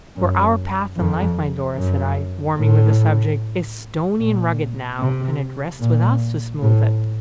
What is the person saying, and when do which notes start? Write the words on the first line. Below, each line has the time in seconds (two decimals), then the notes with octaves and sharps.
For our path in life, my Dora,' said I, warming with the subject, 'is stony and rugged now, and it rests with us to smooth it.
0.16 F#2
0.96 F2
1.77 F#2
2.58 A2
4.19 A#2
5.00 C3
5.80 A#2
6.62 A2